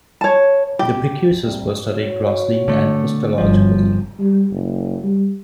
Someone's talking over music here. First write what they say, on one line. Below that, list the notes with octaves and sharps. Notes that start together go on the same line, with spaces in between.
The prepuces were studied grossly and histologically.
C#5 A5
G4
C3 G3
F#4 C#5
D3 A3
G1 F3 F#3 C#4
G3
F#1
G3